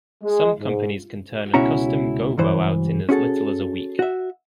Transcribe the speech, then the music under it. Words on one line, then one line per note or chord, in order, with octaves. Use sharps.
Some companies can turn a custom gobo out in as little as a week.
G#3
G#2
C#2 B2 C#4 E4 F#4 A#5
C#2 G2 E3 C5
C#4 F#4 G#4 A4
F#4 E5